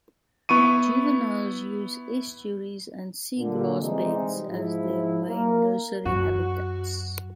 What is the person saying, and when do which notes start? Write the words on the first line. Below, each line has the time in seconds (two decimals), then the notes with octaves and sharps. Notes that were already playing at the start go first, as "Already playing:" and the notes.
Juveniles use estuaries and seagrass beds as their main nursery habitats.
0.49 B3 E4 C#6 D#7
3.38 A#2 D3
3.82 C3 E3 G3 G#3 D#4
4.49 G#2 F3 E4
5.28 A#3 A#4
6.05 F#2 F#4